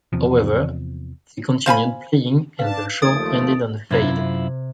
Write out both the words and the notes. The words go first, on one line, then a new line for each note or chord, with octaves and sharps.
However, they continued playing and the show ended on a fade.
E2 C3 F3
C5 F5 G#5 B5
D4 B4 F5 A5
D#2 F3 A3 A4 D5 D#6 A6 D7
F#2 C3 E4 F4 G#6